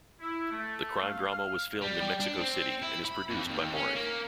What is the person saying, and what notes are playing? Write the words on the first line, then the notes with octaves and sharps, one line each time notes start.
The crime-drama was filmed in Mexico city and is produced by Mori.
E4
A3
F5
F6
G3
G3
D4
C4
E4
B5
F2
D#2
C#4
A#3